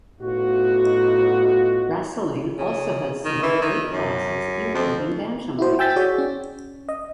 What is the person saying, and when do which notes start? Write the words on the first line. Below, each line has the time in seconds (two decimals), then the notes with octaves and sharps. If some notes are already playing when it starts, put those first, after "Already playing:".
Wrestling also has similar weight classes including bantamweight.
0.21 A2 B3 D#4 F4 F#4
2.57 C#3
3.25 D#3
3.42 E3
3.61 D#3
3.91 F#2
4.75 F2
5.59 E4 F#4 C5
5.79 G5 G#5 E6 G6 A6 B6
5.96 F#4 G#4 C#5 D5
6.18 C#4
6.89 D#5